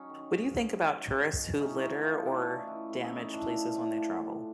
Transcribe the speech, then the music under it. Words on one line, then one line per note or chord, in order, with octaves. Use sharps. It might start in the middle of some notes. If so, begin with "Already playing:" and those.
What do you think about tourists who litter or damage places when they travel?
Already playing: F#3 C#4 D#4
D#3
G#2
G#2
F#3
D#3
G#2
G#2
A2 C#4 D#4
E3 C#4 D#4
F#4
A2 D#4 F4
F4
E3 D4 E4
A2 C#4 D#4
E3
A2
E4
C#4 D#4
E3
A2 D4 E4
F3
A2
F3
A2